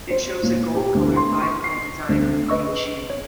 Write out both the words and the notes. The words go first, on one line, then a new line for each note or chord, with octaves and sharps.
It shows a gold-colored five point design on a green shield.
C5
A#2
G4
D2
C6
C#6
C7
D2
B4 D#5 C#6 E6
G#4 D#5
C#5